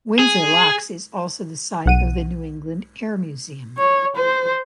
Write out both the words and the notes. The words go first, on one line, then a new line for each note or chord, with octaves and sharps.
Windsor Locks is also the site of the New England Air Museum.
G#4
B1 F#5 D#7
C#5
C5